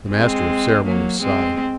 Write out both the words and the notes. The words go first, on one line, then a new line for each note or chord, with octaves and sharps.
The Master of Ceremonies sighed.
G#3 C4
F#3 A#3
G#3 C4